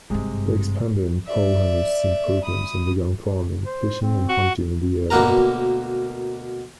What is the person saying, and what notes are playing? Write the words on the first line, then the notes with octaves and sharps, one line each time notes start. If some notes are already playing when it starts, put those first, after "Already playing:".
They expanded Paulhamus' improvements and began farming, fishing and hunting in the area.
G#1 G2 C3 G#3
D5 E5
B5 D#6
C5
C4
F#4
D2 B2 A#3 B3 A#4 A#5